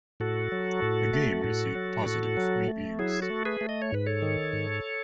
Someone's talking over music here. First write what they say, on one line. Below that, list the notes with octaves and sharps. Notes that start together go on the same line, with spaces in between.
The game received positive reviews.
A2 F#4 A4
F#3
A2
A3
A2
F#3
A2
F#3
A3
F#3 E4 G#4
F#4 A4
A3
G#4 B4
A3
D#5
C#5
G#2 B4
A4 C#5
D#3
G#2